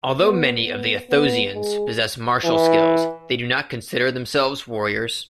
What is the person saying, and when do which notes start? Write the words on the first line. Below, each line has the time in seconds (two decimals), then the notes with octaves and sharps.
Although many of the Athosians possess martial skills, they do not consider themselves warriors.
0.21 B3
0.64 B3
1.10 B3
1.55 G#3
2.45 E3